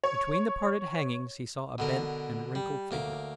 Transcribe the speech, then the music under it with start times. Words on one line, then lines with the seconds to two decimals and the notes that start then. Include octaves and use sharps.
Between the parted hangings he saw a bent and wrinkled figure.
0.04 C#5
1.78 B2 D3 A#4
2.55 G3
2.91 D2 A#3 D6